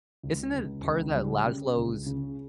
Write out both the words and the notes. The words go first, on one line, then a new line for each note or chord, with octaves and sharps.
Isn't it part of that Laszlo's
C#2
C#2
C#2
G3
C#3
C#2
C#3